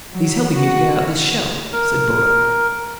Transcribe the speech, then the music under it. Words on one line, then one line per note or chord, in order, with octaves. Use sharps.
"He's helping me to get out this shell," said Borrowe.
F#3
F#4
A#4